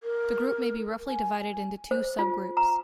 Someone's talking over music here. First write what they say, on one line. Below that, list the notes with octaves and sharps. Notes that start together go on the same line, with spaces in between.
The group may be roughly divided into two subgroups.
A#4
G#5
C5
F4
A#5